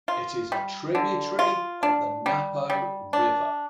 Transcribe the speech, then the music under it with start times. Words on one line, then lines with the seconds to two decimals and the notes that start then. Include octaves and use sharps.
It is a tributary of the Napo River.
0.08 F4
0.52 G3
0.95 D3
1.39 F4
1.83 D4
2.26 G3
2.70 G3
3.13 D4